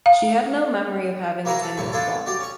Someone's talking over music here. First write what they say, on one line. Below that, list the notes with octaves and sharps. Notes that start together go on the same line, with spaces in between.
She had no memory of having attended the ball.
F5
A#3 E4 F#4 G#4 A#4
A4
B1 E2 A2 C3 E3 C#6
D4 E4 F4 G#4 A4
F#4 G4 D5
C#4 C#6